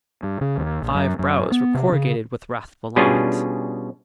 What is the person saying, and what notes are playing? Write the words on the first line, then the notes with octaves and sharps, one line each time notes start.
Five brows were corrugated with wrathful lines.
G2
C#3
D#2
A#1
F#2
F#2
B3
C3
C#3
B2 G3 C#4 D4 F4 G#4